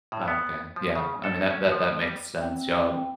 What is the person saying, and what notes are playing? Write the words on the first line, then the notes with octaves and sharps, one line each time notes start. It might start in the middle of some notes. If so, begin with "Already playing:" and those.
Okay, yeah. I mean, that that that makes sense. Y'all
A2
B3
F3
C#3
A4
C#4
F3
G3
C4